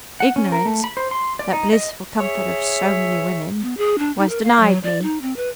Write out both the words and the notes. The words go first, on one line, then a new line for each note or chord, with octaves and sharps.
Ignorance--that blissful comfort of so many women,--was denied me.
F#5
C#4
A#4
A3
B5
C5
C6
D5
D#4
D#5
G#4 C#5 E5
B3
G#4
D4
D#4
A#4
F5
F#3
D5
D#4
C4
B4